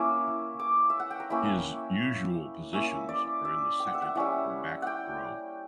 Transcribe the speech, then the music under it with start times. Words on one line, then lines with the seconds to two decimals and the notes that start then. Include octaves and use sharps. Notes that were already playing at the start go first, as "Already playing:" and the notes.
His usual positions are in the second or back row.
Already playing: A#3 C#4 E4 D6
0.59 D6
0.90 E5
1.00 F#5
1.10 G5
1.20 A#5
1.30 A#3 C#4 E4 B5
2.73 A#3 C#4 E4 E5
3.09 D5
3.45 E5
3.80 G5
3.87 F#5
3.95 E5
4.02 F#5
4.15 G3 C#4 E4 F#5
4.82 F#5 G5